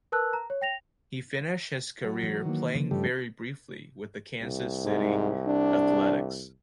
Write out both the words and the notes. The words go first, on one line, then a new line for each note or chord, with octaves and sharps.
He finished his career playing very briefly with the Kansas City Athletics.
A#4 B4 A5 E6 F#6
A#5
C#5
G5 A#6 F7
F#3
E3
D#3 A#3
C#3 F3
G2 G3 A3
C2
G#2
D4